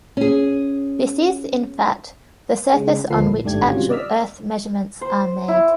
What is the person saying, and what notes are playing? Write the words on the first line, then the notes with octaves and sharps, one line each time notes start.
This is, in fact, the surface on which actual Earth measurements are made.
C#4 G#4
C#3 G#3
D2 F3 A#3 A4 B4 C7
A#1
G1 G#2 A3 D4 G4 G#6
C3 D#3 G3 C#4 F4 F#4
D5 D#5 E6 F6 B6
C5
E4